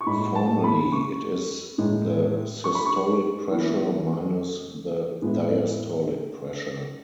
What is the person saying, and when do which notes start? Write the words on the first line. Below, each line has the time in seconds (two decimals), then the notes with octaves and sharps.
Formally it is the systolic pressure minus the diastolic pressure.
0.01 C#6
0.06 A2 G#3 D#4 B5
0.35 A5
0.64 B5
0.92 C#6
1.78 A2 G#3 D#4
2.64 C#6
2.75 B5
2.86 C#6
3.50 E3 B3 E4
5.22 A2 G#3 B3 E4